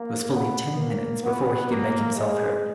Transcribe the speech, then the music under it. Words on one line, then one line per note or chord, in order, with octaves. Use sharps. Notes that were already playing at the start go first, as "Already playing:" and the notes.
It was fully ten minutes before he could make himself heard.
Already playing: A#3
B3
A#3
B3
A#3
G#3